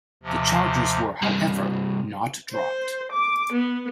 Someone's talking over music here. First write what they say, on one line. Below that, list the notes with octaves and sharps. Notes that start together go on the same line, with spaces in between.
The charges were however, not dropped.
D#2 C3 F3
C2 G2
C5
D6
B3